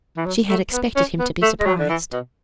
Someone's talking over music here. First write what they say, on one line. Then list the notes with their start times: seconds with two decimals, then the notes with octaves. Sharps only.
She had expected him to be surprised.
0.17 E3
0.26 F#3
0.49 A3
0.73 B3
0.96 C#4
1.19 B3
1.42 A3
1.60 G#3
1.66 F#3
1.79 D3
1.89 E3
2.12 B2